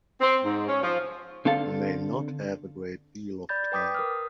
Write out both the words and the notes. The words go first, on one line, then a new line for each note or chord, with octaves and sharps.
You may not have a great deal of time.
C4
G#2
C#4
F3
D3 C4 A4 F5 A5
D5 B5 G6 A6
B4 G5 D6 D#6 B6
A#4 D#6 F6